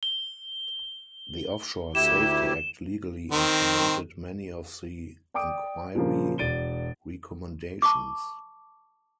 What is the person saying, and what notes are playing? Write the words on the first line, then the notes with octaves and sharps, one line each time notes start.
The Offshore Safety Act legally implemented many of the Inquiry recommendations.
G7
D2 E4 G4 E7
D#3 C4
D5 G5 D6 D#6 D7
A#2 C#3 F3 A#3
E1 D5 A6 D7 D#7 G7
A5 C#6 D6